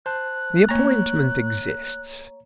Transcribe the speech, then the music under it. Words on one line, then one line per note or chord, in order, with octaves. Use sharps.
The appointment exists.
C5 A5 F#6
A3 A#3 C#5 A#5